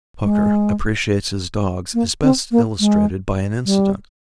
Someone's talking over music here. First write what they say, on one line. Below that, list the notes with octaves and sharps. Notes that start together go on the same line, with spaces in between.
Hooker appreciates his dogs is best illustrated by an incident.
G#3
A#3
C4
A#3
G#3
G3